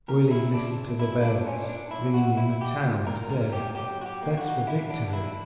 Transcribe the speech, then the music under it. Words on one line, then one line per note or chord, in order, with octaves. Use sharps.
Willie, listen to the bells Ringing in the town to-day; That's for victory.
A#2 A#4
E4
A#2 D4
A#2 E4
D4
A#2 C#4
D4
A#2 E4
F#4
A#3 E4
G4
A#2
A#4
A#2 A#4
G4
F#3 G4
F#4
G4
A#3
F#4
D3 E4
D4
D3 E4